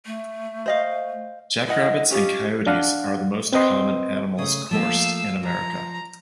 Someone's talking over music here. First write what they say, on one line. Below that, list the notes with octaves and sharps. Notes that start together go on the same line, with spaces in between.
Jackrabbits and coyotes are the most common animals coursed in America.
A3
C5 D#5 F5
E4 G#4 D#5 F#5
C#4 D#4 F4 G4
D4 F5 F#5
C4 B4 D#5 C6
C#3 A3 D#6
F3 A3 A#3 F5 E6
F3 A#5